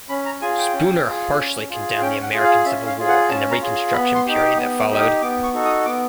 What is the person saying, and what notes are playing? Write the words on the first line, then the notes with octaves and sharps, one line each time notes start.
Spooner harshly condemned the American Civil War and the Reconstruction period that followed.
C#4 B5
A#5
F4 G#4 G#5
G5
C#4
F4 G#4
C#4
F4 G#4
C#4 G5
F#5
F4 G#4
F5
C#4 E5
F5
F4 G#4
F#5
C#4 A5
A#5
F4 G#4
B3 B5
C6
D#4 G4
D6
B3 D#6
D6
D#4 G4
D#6
B3 D6
C#6
D#4 F#4 A4
D#6
B3 D6